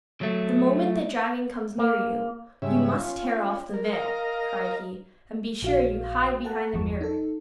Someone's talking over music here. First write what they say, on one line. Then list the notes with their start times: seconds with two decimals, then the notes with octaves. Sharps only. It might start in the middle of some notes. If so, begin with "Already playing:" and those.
'The moment the dragon comes near you, you must tear off the veil,' cried he; 'and be sure you hide behind the mirror.
0.21 F#3 A3
1.78 A#3
2.62 G#2 C#3 G3 C#4 E5
2.96 C#4 F4
3.74 A#4
3.93 A#4 D#5 F5 A#5
5.62 A#1 F#4 F5
6.44 A4 F#5 A5 A#5
6.73 G1 E2 F3 C#6
7.01 D#4 A4